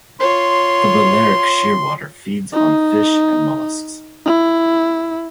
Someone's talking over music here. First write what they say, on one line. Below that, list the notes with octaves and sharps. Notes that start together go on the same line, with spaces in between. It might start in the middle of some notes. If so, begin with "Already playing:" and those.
The Balearic shearwater feeds on fish and molluscs.
F4 C#5 C6
D#4
E4